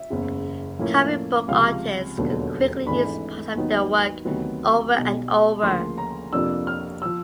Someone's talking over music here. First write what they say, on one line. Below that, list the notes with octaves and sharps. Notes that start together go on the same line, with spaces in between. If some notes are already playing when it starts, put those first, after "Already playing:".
Comic book artists could quickly use parts of their work over and over.
Already playing: E5
F#1 E2 C#3
A2 F3 A#3 C#4 E4
C#2 C3 F3 F5
E1 D#2 D3 F#3 B3
G#1 G#2 E3 A3 D4 B5
D#2 D#3 F#3 B3 D#4
D2 C3 D#3 F#3 B3
B1 B2 G3
D2 C#3 F3 A#3 C6
A#5
F2 C3 F3 A#3 D4 E6
F6
F3 E6